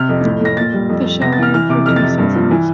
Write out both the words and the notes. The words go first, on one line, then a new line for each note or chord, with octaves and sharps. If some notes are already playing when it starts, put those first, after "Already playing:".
The show aired for two seasons.
Already playing: C3 F6
F2
A2
A2 A#6
A#2 A6
G3
F2
F2
C3 A#6
A6
E3 F6
E3 F6
C3 D6
F2 F6
A6
C3
G2
F3
E3